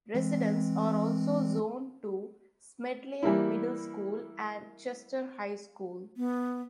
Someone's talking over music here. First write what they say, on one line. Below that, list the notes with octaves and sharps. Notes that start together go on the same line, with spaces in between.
Residents are also zoned to Smedley Middle School and Chester High School.
E3 G#3 C4
E3 G3 A#3 E4
B3